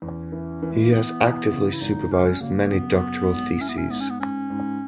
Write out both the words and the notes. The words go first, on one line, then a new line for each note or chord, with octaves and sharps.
He has actively supervised many doctoral theses.
E2 C#4
E3
E3
G#3
A#3
E3 B3
E3
C#3
E4
G#1 D#4
F#3 C#4
C#3 A#3
F#2 B3
F#3
G#1
C#4 E4
B3
C#4
G#2 B3
C#4
B3
G#2 C#4
G#2